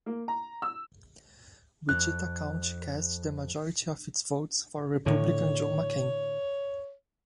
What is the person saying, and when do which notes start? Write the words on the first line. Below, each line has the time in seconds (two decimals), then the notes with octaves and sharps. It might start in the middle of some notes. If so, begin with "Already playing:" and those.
Wichita County cast the majority of its votes for Republican John McCain.
0.06 A#3
0.28 A#5
0.62 E6
1.89 F2 F#6
5.06 A2 D3 C#5